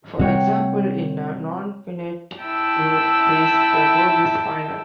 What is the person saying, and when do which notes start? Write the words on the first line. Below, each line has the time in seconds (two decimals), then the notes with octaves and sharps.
For example, in a nonfinite verb phrase the verb is final.
0.19 C3 G3 F#4 C#5 G5
2.41 E4 G5 A5 E6